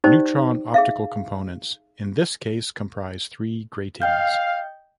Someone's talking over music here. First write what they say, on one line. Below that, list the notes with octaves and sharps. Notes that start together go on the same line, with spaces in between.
Neutron-optical components in this case comprise three gratings.
D#4 G4 C5 D5 G5
G#4 E5 F5
D#5 F5 G5 G6